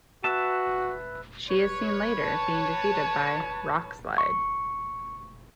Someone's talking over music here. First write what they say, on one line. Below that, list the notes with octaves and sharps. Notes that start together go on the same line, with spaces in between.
She is seen later being defeated by Rockslide.
F#4 B4 E5 A5
B4 C#5
A5
C#6